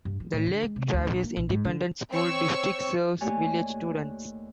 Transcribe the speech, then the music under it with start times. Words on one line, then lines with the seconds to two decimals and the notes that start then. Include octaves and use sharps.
The Lake Travis Independent School District serves village students.
0.05 G2
0.20 F3
0.33 A2
0.46 D3
0.62 G#3
0.76 C3
0.93 D2
1.07 A#1
1.23 A#3
1.37 A#1
1.49 G#2
1.65 D3
2.10 C4 C#5 C#6 E6
3.21 D#2 A3 G4 C#5 D5 G#5